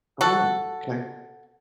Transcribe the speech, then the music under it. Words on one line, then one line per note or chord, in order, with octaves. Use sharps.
Oh, 'kay.
F#4 A4